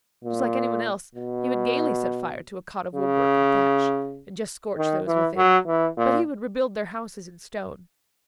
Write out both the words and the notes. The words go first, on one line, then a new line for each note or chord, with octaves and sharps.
Just like any one else, he would gaily set fire to a cot of woodwork and thatch, and just scorch those within; but he would rebuild their houses in stone.
A#2
B2
C#3
D#3
E3
F#3
E3
A#2